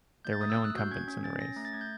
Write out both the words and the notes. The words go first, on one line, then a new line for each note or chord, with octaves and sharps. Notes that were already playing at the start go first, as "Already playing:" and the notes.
There were no incumbents in the race.
A3 G6
A6
A3 D#6
E6
A3
F#6
F#4 G6
C#4 G#6
C#4
C#4 A6
C#4 A#6
A3 A#6
A6
A3 G#6
G6